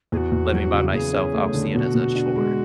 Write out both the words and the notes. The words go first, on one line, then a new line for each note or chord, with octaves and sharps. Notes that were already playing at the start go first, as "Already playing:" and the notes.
living by myself, I'll see it as a chore,
E2 F#4 G#4
E2
F#3
C#3
E2 G#4
C#4
A3
D3
B2 F#4
B2
D4
G#3